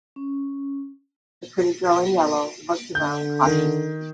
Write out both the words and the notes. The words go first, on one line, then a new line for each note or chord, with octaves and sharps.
The pretty girl in yellow looked around cautiously.
C#4
D3 G6
D#3